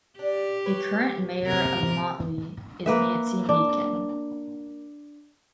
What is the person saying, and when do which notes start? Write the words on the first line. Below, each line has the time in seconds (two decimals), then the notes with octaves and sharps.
The current Mayor of Motley is Nancy Nieken.
0.19 D4 G4
0.66 B4 C#5
1.44 C3 A#4
2.86 A#3 B4 E5
3.49 D4